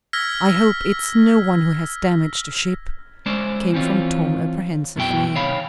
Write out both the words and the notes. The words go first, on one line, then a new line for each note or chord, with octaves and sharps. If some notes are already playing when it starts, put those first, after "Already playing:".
"I hope it's no one who has damaged the ship," came from Tom, apprehensively.
E6 F6 G#6 A#6 B6
G#3 C#4 C5 D5
E3 C4 C#4 F4
F#2 B2 E4 G5
C2 D#3 C#5 F5 B5